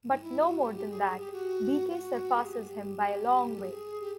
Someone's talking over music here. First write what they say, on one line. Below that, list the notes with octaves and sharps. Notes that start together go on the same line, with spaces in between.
But no more than that; Beecke surpasses him by a long way.
D#4
E4
F#4
G4
G4
G#4
G#4
G4
F#4
F#4
G#4
G4
G4
A4
G#4
G4